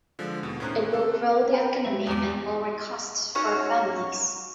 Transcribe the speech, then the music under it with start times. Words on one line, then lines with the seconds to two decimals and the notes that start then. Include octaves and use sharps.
It will grow the economy and lower costs for families.
0.19 D3 F3 G#3
0.43 D#2 B2
0.60 A2 D#3 C#4 C5 A#5 F#6
0.75 C3
0.92 C4 A4
1.53 G5 A#5 B5
1.85 G#3 E5
2.07 E2 D6
3.35 C#4 D#4 F#4 C#5